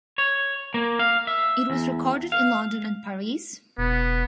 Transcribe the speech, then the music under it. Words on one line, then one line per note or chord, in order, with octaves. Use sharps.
It was recorded in London and Paris.
C#5
A#3
F5
E5
E2
F5
E1 B3